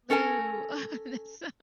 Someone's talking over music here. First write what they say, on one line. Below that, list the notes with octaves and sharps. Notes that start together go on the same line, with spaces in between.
Lou. Oh, that's so
C#4 A4 A#4 G#5